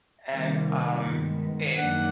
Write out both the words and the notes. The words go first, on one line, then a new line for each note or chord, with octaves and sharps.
and, um, it
C3 D#3 G3 A#3
G2 D#3 G#3 B3
F#2 D#3 F#3 A#3 D4 F#5